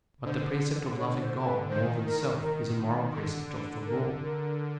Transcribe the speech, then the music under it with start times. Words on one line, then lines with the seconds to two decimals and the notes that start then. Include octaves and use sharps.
But the precept of loving God more than self is a moral precept of the law.
0.25 D3 C5
0.97 C#5
1.21 C5
1.45 B4
1.69 D#3 C5
2.06 A#4
2.42 A#4
3.14 D3
3.50 D3
3.87 A#4
4.23 A#4